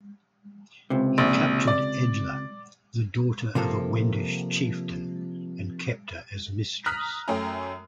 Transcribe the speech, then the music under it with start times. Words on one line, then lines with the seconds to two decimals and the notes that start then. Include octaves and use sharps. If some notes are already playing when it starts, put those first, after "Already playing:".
He captured Edla, the daughter of a Wendish chieftain, and kept her as mistress.
0.90 C#2 C3
1.18 A#1
1.67 D5
3.55 C3 F3 A#3 A4
6.86 A#5 D#6 F6 F#6 A#6 B6
7.28 F#2 A3 C#4 G5 G#5 A#5